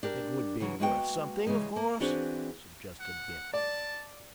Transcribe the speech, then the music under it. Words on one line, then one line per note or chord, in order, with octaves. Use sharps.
"It would be worth something of course," suggested Bince.
D4 G4 A#4
C#3 E3 F#3
G#3 A#3 B3 F#4 F#5 G5
C#3 E3 G3 G#3
A#3
E3 C4 D4 F#4 G#4
F#5
D5 A5